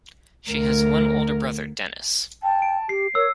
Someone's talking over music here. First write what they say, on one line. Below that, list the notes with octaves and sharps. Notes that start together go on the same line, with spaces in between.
She has one older brother, Dennis.
D2 A#4
G5 A5
D7
G4 C7
A#4 C#5 E6